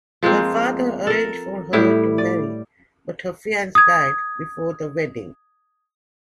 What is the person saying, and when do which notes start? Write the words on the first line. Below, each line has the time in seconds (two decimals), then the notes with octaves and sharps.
Her father arranged for her to marry but her fiance died before the wedding.
0.23 F3 G#3 A#3 C4
1.07 A4 A#4
1.73 A2 G3 E4
2.18 D5
3.75 D#6 G#6